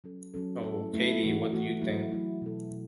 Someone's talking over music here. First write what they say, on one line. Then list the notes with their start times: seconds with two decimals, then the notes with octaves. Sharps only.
Oh, Katie, what do you think?
0.04 F#3 C#4 A4
0.34 F#3 C#4 A4
0.63 A3 E4 A4
0.94 A3 E4 A4
1.23 E3 A3 F#4
1.53 E3 A3 F#4
1.82 F#3 A3 E4
2.12 F#3 A3 E4
2.41 B2 B3 A4
2.71 B2